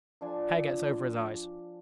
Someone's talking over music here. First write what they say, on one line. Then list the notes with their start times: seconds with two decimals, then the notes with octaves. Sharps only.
Hair gets over his eyes.
0.21 F3 D4 G#5 A5